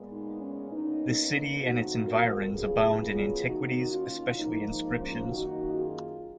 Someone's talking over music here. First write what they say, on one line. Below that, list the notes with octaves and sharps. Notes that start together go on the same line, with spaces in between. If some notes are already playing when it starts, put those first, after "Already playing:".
The city and its environs abound in antiquities, especially inscriptions.
Already playing: A#2 G#3 B3
D#4
C#4
B2 A#3 C#4 D#4
F2 F3 B3 D#4 F#4
F#4 A#4
C#3 F#3 B3 F4 G#4
F4 G#4
D#2 D#3 A#3 D#4 F#4
C#4 F4
G#2 F3 A#3 D#4
D#4
C#4 F4
F#2 D#3 A#3 D#4 F#4
F4 G#4